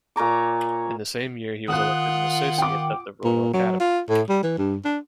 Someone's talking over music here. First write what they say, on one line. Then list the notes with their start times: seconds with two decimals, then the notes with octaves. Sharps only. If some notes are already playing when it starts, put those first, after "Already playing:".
In the same year he was elected an associate of the Royal Academy.
0.16 A#2 C#5 A#5 D6
1.68 D#3 F4 F#5 D#6 F#6
2.58 G5 D6
3.24 A#2
3.54 F#3
3.80 F4
4.10 A2
4.29 G3
4.43 E3
4.58 G2
4.85 D4